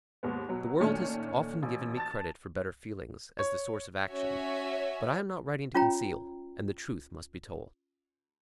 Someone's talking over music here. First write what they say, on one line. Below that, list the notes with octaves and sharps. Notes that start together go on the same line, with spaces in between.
The world has often given me credit for better feelings, as the source of action, but I am not writing to conceal, and the truth must be told.
D#2 G#2 B3
B2 F#3
A#2 D#3 A3 C#4 D4
A1
A5 A6
C#5
C#4 F#4 C#5 E5 G#5
C#4 F4 C#5 G5 A#5